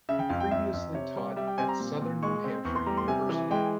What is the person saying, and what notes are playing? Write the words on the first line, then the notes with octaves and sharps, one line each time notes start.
He previously taught at Southern New Hampshire University.
C#3 E5
G5
F2 F5
G5
F2 E5
F2
C3 C#5
G3
G3 E5
G5
C4 G#5
A#5
A#2
A#2
G#3 C#6
C4
E2 C#6
C6
G3 A#5
C6
C3 G#5
E3
G#3 G5